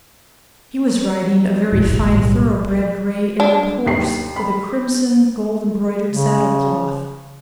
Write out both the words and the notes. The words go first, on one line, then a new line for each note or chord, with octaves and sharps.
He was riding a very fine thoroughbred gray Arab horse with a crimson gold-embroidered saddlecloth.
F1 A#1 D#2 A2
B1 A2 G3
D4
D#2 C7
B5
C#3